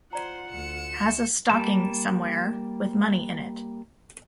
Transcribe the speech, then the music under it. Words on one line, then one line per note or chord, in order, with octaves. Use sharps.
Has a stocking somewhere, with money in it.
F4 C5 D5 F#5 A#5
D2 C#7 E7
G3 A#3 A5